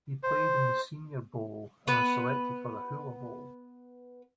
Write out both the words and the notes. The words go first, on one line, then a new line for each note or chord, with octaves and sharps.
He played in the Senior Bowl and was selected for the Hula Bowl.
C5
B3 B4